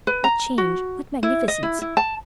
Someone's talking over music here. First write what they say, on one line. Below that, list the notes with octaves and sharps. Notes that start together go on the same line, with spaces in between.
What change--what magnificence!
B4
A#5
F#4
E4
D#5
E4
E4
A5